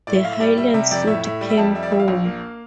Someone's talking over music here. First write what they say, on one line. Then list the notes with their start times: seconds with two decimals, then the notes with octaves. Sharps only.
The Highland suit came home.
0.07 A2 D5
0.15 E5
0.24 A2 F5
0.33 E5
0.40 G3 D5
0.58 G3 E5
0.74 C3 E5
0.91 F2 D5
1.07 A2 E5
1.24 A2 E5
1.41 G3
1.50 E5
1.57 F2 A5
1.75 G3 E5
1.83 D5
1.91 A#1 E5
1.99 F5
2.08 A#1
2.25 A#3